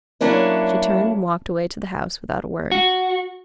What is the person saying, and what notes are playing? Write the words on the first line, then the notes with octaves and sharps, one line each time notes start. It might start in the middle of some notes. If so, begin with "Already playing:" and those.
She turned and walked away to the house without a word.
F#3 A#3 C#4 D4 E4
F#4